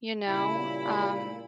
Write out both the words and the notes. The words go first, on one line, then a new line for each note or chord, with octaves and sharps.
You know? Um
A#2 C#3 G3 E4 B5